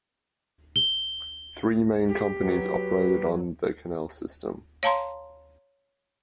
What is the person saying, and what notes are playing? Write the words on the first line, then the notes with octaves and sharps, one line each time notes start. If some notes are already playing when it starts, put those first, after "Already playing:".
Three main companies operated on the canal system.
G7
G4 G#4
F#3 B4
C#5 F5 A5 A#5 C6